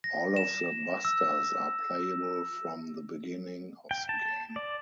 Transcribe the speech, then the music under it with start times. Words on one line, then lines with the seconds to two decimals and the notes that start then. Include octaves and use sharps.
All of the Busters are playable from the beginning of the game.
0.04 A#6
0.36 E7
1.05 E6
3.91 G5
4.09 A5
4.56 D5